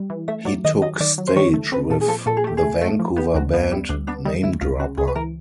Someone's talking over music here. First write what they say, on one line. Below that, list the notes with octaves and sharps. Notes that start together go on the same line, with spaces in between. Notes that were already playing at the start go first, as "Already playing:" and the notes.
He took stage with the Vancouver band Namedropper.
Already playing: G3
E3
A3 E5
F#3 D5
D#3 D#5
F#3 D#5
D#3 D5
F#3
C5
D#3 C#5
A3
C4 B4
A#2 A4
G#4
F3 A4
A#2 A4
G#4
A3 G4
G#4
A3
A3
F3
B3 G4
D2 F#4
B3 F4
G3 E4
D2 D4
B3 D4
G3 D#4
D2 E4
C#2 F4
C#3 F#4
C#2 G#4
B4
E3 A#4